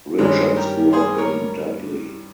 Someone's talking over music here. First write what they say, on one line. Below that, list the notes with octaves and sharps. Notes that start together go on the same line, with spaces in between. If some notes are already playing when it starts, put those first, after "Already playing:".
Richards grew up in Dudley.
G2 D#3 G3 G#3 C4 C#4
G4 A#4
G#4 C5
A#4 C#5